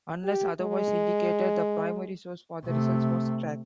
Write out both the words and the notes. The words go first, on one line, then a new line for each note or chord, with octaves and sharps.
Unless otherwise indicated, the primary source for the results was Craig.
G4
G#3
C3 A3